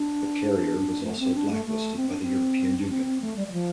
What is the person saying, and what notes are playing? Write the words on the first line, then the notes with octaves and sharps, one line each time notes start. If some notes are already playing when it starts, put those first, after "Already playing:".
The carrier was also blacklisted by the European Union.
Already playing: D4
A3
C4
D4
A3
A3
C4
D4
C4
D4
C4
C4
A3
G3
G3
F3